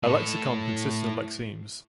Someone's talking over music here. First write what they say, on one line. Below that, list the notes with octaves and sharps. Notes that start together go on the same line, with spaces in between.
A lexicon consists of lexemes.
A2 A4